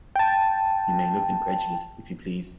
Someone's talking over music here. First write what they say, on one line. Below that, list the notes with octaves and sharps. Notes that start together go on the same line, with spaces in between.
You may look incredulous, if you please!
G5 A5